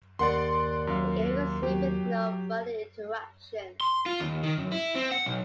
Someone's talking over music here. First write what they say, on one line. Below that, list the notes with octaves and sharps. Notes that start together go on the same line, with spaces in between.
The game resumed with no further interruptions.
D#2 D5 F#5 C6
F#2 F5
F#3 G4
C6
F4
D#2
D#3
F#2
E4
C4
F#5
B1